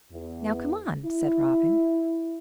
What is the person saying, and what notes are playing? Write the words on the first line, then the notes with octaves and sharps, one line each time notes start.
"Now, come on," said Robin.
E2
E4